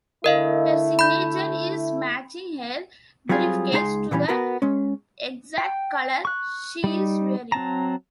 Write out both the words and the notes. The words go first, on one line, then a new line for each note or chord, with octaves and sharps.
Her signature is matching her briefcase to the exact color she is wearing.
D3 A3 E4 A#4 D#5 F5
B5 G6
F#3 G3 C4 F4 G#4
C#2 G#3 D#4 G#4 A#5 C6
A#2 D3 E3 G3 C#4
B3 F#4 A#4 A#5
G#3 C#4
G5
C#6 F#6
G3 D#4
F#3 C4 A5 A#5